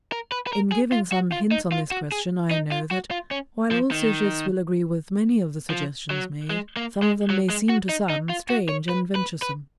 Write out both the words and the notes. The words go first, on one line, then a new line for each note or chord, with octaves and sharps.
In giving some hints on this question, I know that, while all Socialists will agree with many of the suggestions made, some of them may seem to some strange and venturesome.
A#4
B4
B4
A#4
G#4
F4
F#4
F4
D#4
F4
F#4
G#4
D#4
F4
F#4
F4
C#4
F3
D#3
F3
F#3
G#3
A#3
G#3
F#3
G#3
F#4
D#4
D#4
F4
F#4
C#5
B4
B4
B4